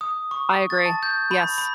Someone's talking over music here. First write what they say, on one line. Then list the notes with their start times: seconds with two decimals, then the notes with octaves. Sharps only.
I agree. Yes.
0.01 D#6
0.31 C#6
0.70 A6
0.86 A5
1.03 G6
1.31 B5
1.58 B5